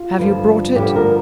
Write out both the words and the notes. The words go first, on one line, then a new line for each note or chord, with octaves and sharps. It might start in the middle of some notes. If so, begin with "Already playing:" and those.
"Have you brought it?"
Already playing: F4
G2 D3 F3
G2 D3 F3 G4
A#4